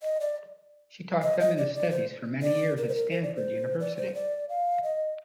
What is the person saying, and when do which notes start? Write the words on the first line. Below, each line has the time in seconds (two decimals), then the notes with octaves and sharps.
She taught feminist studies for many years at Stanford University.
0.03 D#5
0.20 D5
1.22 D#5
1.40 D#5
1.57 D5
1.75 D5
1.91 C5
2.42 D5
2.77 A#4
2.89 C5
2.95 A#4
3.11 C5
3.23 D5
3.36 C5
3.80 D5
3.97 C5
4.15 D5
4.49 F5
4.83 D#5